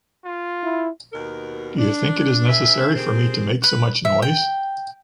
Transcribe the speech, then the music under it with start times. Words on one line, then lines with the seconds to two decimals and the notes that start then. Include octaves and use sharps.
Do you think it is necessary for me to make so much noise?
0.24 F4
0.64 E4
1.13 D#2 B2 A#4
1.78 D4
2.49 D4 G#4 B4 E5
2.96 F2 C4 G4 G#4 A#4 C5
3.64 B4
4.05 E5
4.22 G5